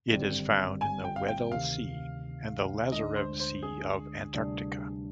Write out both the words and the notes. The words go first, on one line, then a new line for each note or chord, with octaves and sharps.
It is found in the Weddell Sea and the Lazarev Sea of Antarctica.
G#1 G2 D3 G3 C4
G#5
G5
F5
G5
D2 C3 D#3 F5
D2 D3 G#3 D4 D#5
C5
C5
G#4
D2 C3 G3 D4